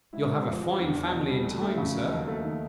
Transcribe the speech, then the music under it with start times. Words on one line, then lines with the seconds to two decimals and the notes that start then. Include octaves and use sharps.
You'll have a fine family in time, sir.'
0.13 G#2 E4
0.30 G#2
0.46 F3
0.63 G#3
0.79 E2 D4
0.95 E2
1.11 B2
1.28 G3
1.44 D2
1.61 A3
1.77 C#3
1.94 F#3
2.12 D#2
2.27 A3
2.44 D#3